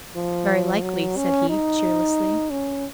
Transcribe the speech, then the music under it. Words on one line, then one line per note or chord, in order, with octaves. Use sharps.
"Very likely," said he cheerlessly.
F3
F#3
C#4
D#4
C#4